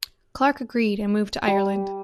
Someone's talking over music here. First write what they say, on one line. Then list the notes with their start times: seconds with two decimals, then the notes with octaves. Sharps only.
Clarke agreed and moved to Ireland.
1.47 G3